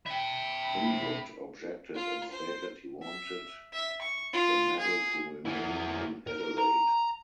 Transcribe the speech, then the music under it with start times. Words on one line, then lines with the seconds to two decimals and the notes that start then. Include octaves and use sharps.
Inwood objected and stated he wanted the medal to remain in Adelaide.
0.06 E5 G5 B5
1.94 F4
2.31 C5
3.02 E5
3.73 E5
4.01 C#6
4.33 F4
4.79 G#4
5.45 E4 G#4
6.27 A#4
6.58 A#5